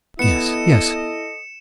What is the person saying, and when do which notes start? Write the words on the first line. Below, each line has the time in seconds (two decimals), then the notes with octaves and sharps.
"Yes, yes."
0.19 B3 E4 A4 D#5 C#7 E7